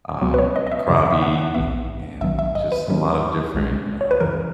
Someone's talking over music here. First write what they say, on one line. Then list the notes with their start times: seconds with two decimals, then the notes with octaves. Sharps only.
um, Krabi and just a lot of different, uh
0.22 C#2 B2 F#3 B3
0.34 B4
0.39 C#5
0.56 D#5
0.67 D#5
0.72 E5
0.88 F#2 C#3 F#3 E5
1.05 E5
1.22 F#5
1.38 F#5
1.55 A#1 G#2 E3 B3 E5
2.21 A#1 G#2 D#3 F#3 B3 E5
2.39 E5
2.55 D#5
2.72 B4
2.88 G#2 D#3 F#3 A#3 C#4
3.54 B1 A#2 G#3
4.01 C#5
4.11 B4
4.21 F#2 C#3 E3 A#4